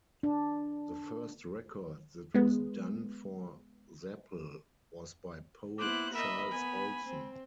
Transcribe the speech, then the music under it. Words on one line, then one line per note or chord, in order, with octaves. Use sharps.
The first record that was done for Zapple was by poet Charles Olson.
D4
G#3 B3
A#3 B3 E4 C5 D6 F#6
A#4 D#5 E5 B5
B3 G#5
C4